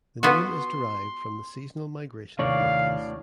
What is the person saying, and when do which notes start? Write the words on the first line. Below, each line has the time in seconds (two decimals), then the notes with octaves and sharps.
The name is derived from the seasonal migration of monkeys.
0.23 B3 F4 F#4 C6
2.39 D#2 A2 C3 D#3 D4 C#5 D5 F5